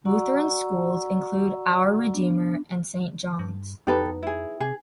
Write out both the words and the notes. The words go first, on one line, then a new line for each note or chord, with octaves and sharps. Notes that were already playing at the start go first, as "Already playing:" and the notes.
Lutheran Schools include Our Redeemer and Saint John's.
F#4 D5 F#5 A#5 C#6 E6
B3 D4
G2
F2 B3 D#4 G4 A4 B4
E4 G#4
C3 G#4